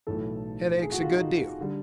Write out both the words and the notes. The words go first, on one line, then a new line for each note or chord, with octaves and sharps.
Head aches a good deal.
B1 A2 E3 A4
G#4
F#4
F4
D#4
D3 G3